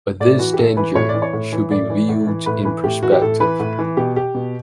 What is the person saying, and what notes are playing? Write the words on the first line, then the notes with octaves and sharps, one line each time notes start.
But this danger should be viewed in perspective.
A2 D5
E3 F#4
G4
A2 A4
E3 B4
A2 C#5
D5
E3
C#5
A2
E3
A2 D5
E3
A2
E3
A2 B4
E3 B4
A2 G4
E3 F#4
G4
A2 A4
E3 B4
A2
E3
B2 G4
G4
B2